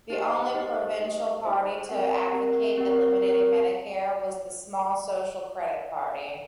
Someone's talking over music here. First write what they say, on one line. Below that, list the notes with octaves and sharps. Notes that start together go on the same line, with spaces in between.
The only provincial party to advocate eliminating Medicare was the small Social Credit Party.
D#4 G4 C5 D#5
D#4 G4 C5 D#5
D#4 G4 C5 D#5
D#4 G4 C5 D#5
C4 G4 A#4 F#5
C4 G4 A#4 F#5
C4 G4 A#4 F#5
C4 G4 A#4 F#5